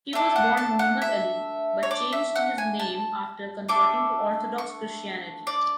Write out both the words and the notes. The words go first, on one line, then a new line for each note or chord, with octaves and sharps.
He was born Mohammed Ali, but changed his name after converting to Orthodox Christianity.
A3 D4 A4
F#5
A5
F#5
E5
C#5
D5
E5
F#5
G#5
A5
A3 D4 A4 D6
C#6
D5